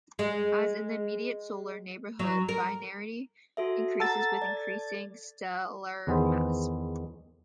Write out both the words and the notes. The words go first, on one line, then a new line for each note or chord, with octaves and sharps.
As in the immediate Solar neighborhood, binarity increases with increasing stellar mass.
G#3
F#3
A#4
F#4 A4 E5
A4 F#5 A#5 A6
D5
E2 D#3 B3 G#4 C5